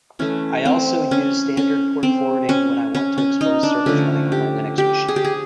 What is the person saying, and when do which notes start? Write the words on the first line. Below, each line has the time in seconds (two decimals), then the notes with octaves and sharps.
I also use standard port forwarding when I want to expose servers running on my Linux machine.
0.19 E3 A3 C#4
0.65 C4
1.11 C#4
1.57 C#4
2.03 C4
2.49 C#4
2.95 C#4
3.18 C#4
3.41 D#4
3.63 D4
3.86 D3 F3 A3 C#4
4.32 G4
4.78 G4
5.08 G#4
5.16 G4
5.25 G#4